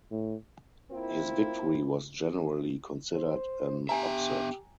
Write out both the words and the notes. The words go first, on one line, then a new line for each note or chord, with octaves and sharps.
His victory was generally considered an upset.
A2
A#3 C4 E4 F4 A#4
C5
B3 D4 G4 E5 G5 G#5 A#5